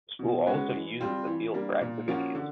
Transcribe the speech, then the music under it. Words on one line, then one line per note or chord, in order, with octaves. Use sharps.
The school also uses the field for activities.
B2
G#3 C#4 F#4 B4
E3
G3 C4 F4
E3
G3 A#3 D4
A#2
F3 A#3 C#4 F#4
D3